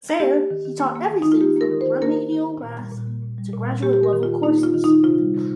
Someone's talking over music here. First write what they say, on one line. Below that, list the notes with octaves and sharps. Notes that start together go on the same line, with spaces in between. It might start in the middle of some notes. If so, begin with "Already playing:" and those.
There he taught everything from remedial math to graduate-level courses.
A#3 G4
A#3
D#3
D#3
A#3
A#3
D#3
D#3 D#4
F4
A#3 G4
A#3 A#4
D#3
C5
D#3
A#3 A#4
A#3
D#3
D#3
A#2
G3
A#2
A#3
A#2
G3
A#2
A#3
A#3 G4
G4
A#3
A#4
D#3
D#3 F4
A#3 D#4
A#3 F4
D#3
D#3 D#4
C3 F4
G3
C3